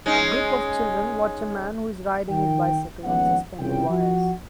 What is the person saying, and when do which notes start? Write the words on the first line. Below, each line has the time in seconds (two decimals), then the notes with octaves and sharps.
A group of children watch a man who is riding his bicycle on suspended wires.
0.06 G#3 C#4 D#4
2.30 D#3 G5
3.05 D#2 F3 G#3 B3 C#4 F#5
3.58 C2 C#3 F4 G5
3.90 F3 F#4 F#5